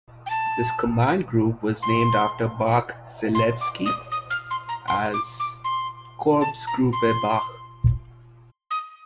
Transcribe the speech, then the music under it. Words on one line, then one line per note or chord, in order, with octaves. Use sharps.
This command group was named after Bach-Zelewski, as "Korpsgruppe Bach".
G5
A5
C6
C6
D6
D#6
D#6
F6
C6
A#5
C6
D6
D6
C6
A5
A#5
C6
D#6